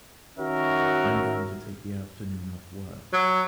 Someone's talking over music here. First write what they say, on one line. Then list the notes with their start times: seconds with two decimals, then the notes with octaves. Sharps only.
I’m going to take the afternoon off work.
0.39 D#3 C#4 F#4 A#4 E5
3.13 F#3